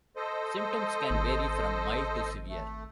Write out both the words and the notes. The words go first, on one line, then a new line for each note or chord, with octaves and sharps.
Symptoms can vary from mild to severe.
A4 C5 D#5
G#1
A3